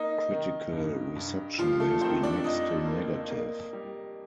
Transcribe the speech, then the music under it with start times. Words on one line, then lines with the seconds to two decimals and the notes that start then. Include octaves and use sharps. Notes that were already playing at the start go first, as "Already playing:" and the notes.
Critical reception has been mixed to negative.
Already playing: A#3 D#4
0.31 D#3
0.73 G2
1.16 G2
1.58 F3 G3 F4
1.80 A3 A4
2.01 D#3 C4 C5
2.23 D4 D5
2.44 F2 D#4 D#5
2.87 A#3
3.30 A#3
3.73 G3